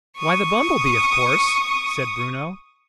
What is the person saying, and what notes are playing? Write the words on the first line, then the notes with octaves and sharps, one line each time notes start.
"Why the bumble-bee, of course!" said Bruno.
C#6 D#6